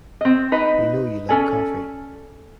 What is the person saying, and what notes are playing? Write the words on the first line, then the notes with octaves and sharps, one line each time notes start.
We know you love coffee.
C4 D#5
D#4 B4 D#5
C#4 A4 D5 G#5